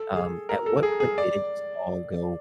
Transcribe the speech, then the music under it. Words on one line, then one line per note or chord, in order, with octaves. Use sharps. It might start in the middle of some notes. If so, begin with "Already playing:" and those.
um, at what point did it just all go
Already playing: A4
G#4
A#4
A4
G#4
G#4
D5